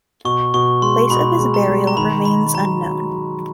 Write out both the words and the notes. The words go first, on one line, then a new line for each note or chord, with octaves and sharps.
Place of his burial remains unknown.
B2 C#6
B2 C#6
G#3 C6
B2 B5
G#3
A#5
G#3
A#5
D#3 B5
D#3 B5
F#3 A#5
F#3
F#3